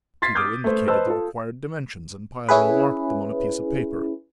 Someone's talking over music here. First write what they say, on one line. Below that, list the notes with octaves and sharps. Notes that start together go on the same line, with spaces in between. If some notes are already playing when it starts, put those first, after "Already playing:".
Tito indicated the required dimensions, and Piero marked them on a piece of paper.
C6 G#6 A6 B6 C7
D6 D#6 F6 G6 G#6
A3 B4 C5
B4 C5 D#5 A5 C6 E6
F4 A4
C#4 E4 G#4 B4